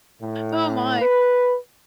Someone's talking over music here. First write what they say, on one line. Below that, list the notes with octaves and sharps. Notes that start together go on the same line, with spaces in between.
Oh my.
A2
B4